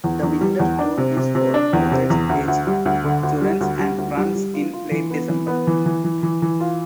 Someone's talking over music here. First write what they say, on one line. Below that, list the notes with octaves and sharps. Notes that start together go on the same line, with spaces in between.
The winter tour is for college-age students and runs in late December.
E2
E2
G3
E2
D4
C3
C3
C3
D4
E2
C3
E2
D2
D2
G3
D2
D3
D2
G3
D2
G3
D2
G3
G3
F4
F4
E3
B3
E3
B3
E3
E3
E3
E3
E3
F4